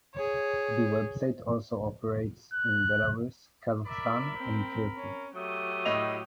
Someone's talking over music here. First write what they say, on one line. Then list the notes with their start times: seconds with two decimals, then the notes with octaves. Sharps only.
The web site also operates in Belarus, Kazakhstan and Turkey.
0.14 G#4 C#5
2.54 F#6
3.86 A#4 D5 E5 B5
4.36 C4
4.96 C#4
5.35 F#3 A3 G4 D#6
5.85 A2 D#5 F7